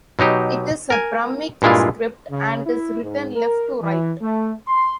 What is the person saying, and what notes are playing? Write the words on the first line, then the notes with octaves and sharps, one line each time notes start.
It is a Brahmic script and is written left-to-right.
B2 F#3 D#4 G4
A#4 G#5
G2 A#2 G#3 E4 F4
C#3
E4
G#2
A#4
E3
A3
C6